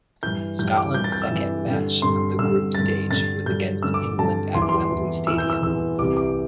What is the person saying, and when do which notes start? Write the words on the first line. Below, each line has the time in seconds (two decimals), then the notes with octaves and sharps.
Scotland's second match of the group stage was against England at Wembley Stadium.
0.23 G2 E3 G6
0.59 G2 E3 G6
0.77 D6
0.94 G2 E3 G6
1.04 A6
1.12 G6
1.22 E6
1.31 G2 E3
1.67 G2 D3
2.02 G2 D3 C6
2.39 G2 D3 E6
2.75 G2 D3 A6
3.11 G2 D3 A6
3.46 G2 D3 G6
3.83 G2 D3 E6
3.94 D6
4.19 G2 D3 A5
4.54 E2 E3 C6
4.62 D6
4.69 C6
4.90 E2 E3
5.27 E2 E3 E6
5.38 G6
5.50 E6
5.62 E2 E3 E6
5.98 C2 C3 E3 D6
6.17 D6